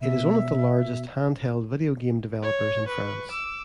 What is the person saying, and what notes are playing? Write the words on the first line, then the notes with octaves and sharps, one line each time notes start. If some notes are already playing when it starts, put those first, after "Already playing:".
It is one of the largest handheld video game developers in France.
B2 E5
C#5
B4 C#6
D6 E6